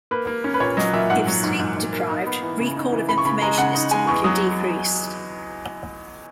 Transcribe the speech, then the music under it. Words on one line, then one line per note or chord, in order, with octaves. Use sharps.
If sleep deprived, recall of information is typically decreased.
A#3 B4
A#3
C#4
B4
A#2 C#5
F#3 D#5
A#2 E5
G#2 F#5
F#3
G#2
G#2
G#2
A#3
D#4
B3
E3
C#3
D#4
E3
C#3 B5
C#6
C#3 B5
G#3 A#5
C#3 F#5
D#4
G#3 G#5
E2 C#6
F#3 D#6